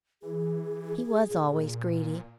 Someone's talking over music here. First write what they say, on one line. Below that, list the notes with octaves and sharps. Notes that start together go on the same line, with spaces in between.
He was always greedy.
E3 G#4
A#2